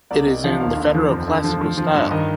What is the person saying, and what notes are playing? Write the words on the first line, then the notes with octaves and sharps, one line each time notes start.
It is in the Federal Classical style.
C2 D5
C3 D#5
F3 F5
D#2 F5
D3
F3
F2
D3
F3
F3
F3
G2
D#3 D#5